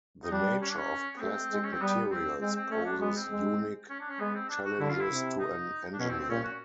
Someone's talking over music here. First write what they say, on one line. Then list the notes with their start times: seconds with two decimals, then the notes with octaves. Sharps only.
The nature of plastic materials poses unique challenges to an engineer.
0.24 D#4
0.31 G3 D4
0.62 C#4
0.70 D4
0.77 C#4
1.16 B3
1.21 A3 C4
1.51 G#3
1.63 C#4
1.72 C4
1.81 G3 B3
2.11 C4
2.41 G#3 C4
2.56 C4
2.71 A3 C#4
2.85 D4
3.00 G#3 B3
3.16 C4
3.30 G#3
3.90 C#4
4.00 D4
4.10 C#4
4.20 G#3 B3
4.35 C4
4.49 D4
4.65 F#4
4.80 D3 E4
4.90 F4
5.00 E4
5.10 C3
5.40 D#4
5.93 D4
5.99 B2 C#4
6.09 C4
6.19 C4
6.29 A#2 C#4
6.44 F#4